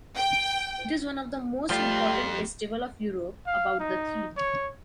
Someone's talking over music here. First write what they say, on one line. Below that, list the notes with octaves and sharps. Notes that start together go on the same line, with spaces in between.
It is one of the most important festival of Europe about the theme.
G5
F2 F3 G3 A3 F4 G4 G5 C6
F5
D#4
C#5